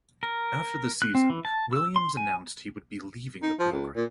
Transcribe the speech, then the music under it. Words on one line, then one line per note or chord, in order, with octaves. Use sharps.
After the season Williams announced he would be leaving the program.
A#4
F#6
C4
E3
A5
E6
C6
G#5
D#4
F3
C#2
A#2